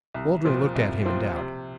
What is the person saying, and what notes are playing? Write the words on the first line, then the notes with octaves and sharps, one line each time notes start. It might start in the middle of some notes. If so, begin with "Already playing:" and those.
Waldron looked at him in doubt.
C2
A#2 F3 C4
C2
A#2 F3 C4
C3